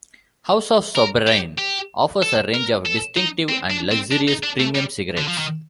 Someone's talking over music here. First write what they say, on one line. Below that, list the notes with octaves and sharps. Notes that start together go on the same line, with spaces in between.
House of Sobranie offers a range of distinctive and luxurious premium cigarettes.
A#4
G4
G4
A4
A#4
A4
D#4
C4
D4
C4
D4
D#4
D4
A3
G3
D3
F3
D#3